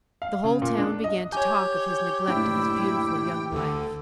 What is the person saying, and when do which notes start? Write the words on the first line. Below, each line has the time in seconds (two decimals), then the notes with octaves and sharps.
The whole town began to talk of his neglect of his beautiful young wife.
0.22 F5
0.44 C#3
0.62 A#2
0.78 D4
1.04 D#5
1.32 G4 C#5 G#5 G6
2.27 F#1 A2 D4 E4 G5
3.52 D2 D3 A4